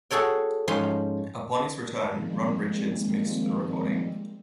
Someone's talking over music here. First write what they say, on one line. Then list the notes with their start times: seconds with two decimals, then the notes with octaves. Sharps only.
Upon his return, Ron Richards mixed the recording.
0.11 F#4 G#4 A4 C#5 G5
0.68 G#2 F3 C#4 C6
2.08 D#3 F3 G3 G#3 A#3 C4